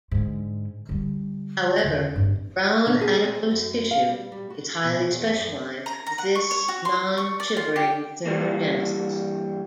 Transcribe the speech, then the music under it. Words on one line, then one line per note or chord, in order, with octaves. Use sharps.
However, brown adipose tissue is highly specialized for this non-shivering thermogenesis.
G#2 D3
D3 G3
E2 D3
G2 C4
D3
G#4
C4
F#2
F5
G3
G3
F#4
B2
E2
F#2
A#5
A#5
F#5
C#6
C#5
F#4
C6
C#6
D5
F4
G4
G2 E3 G3 A#3